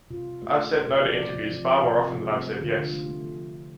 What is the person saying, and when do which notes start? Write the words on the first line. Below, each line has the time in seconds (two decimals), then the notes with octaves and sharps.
I've said no to interviews far more often than I've said yes.
0.10 C3 F4
0.26 C3
0.42 A3 G4
0.58 A3
0.73 A3 C5
0.89 C3
0.94 D5
1.05 F3
1.15 D5
1.20 F3
1.36 C3
1.51 F3
1.67 F3
1.83 C3
1.99 F3
2.15 C3
2.30 A3
2.46 A3
2.61 D3 F4
2.77 D3
2.82 F4
2.93 A3
3.03 G4
3.08 A3
3.24 F3